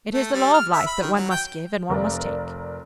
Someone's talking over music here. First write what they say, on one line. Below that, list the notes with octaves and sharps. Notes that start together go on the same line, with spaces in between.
It is the law of life that one must give, and one must take.
A3
G3
F6
E5
B5
D#3
F#3
G5
F1 A#4 B4 D5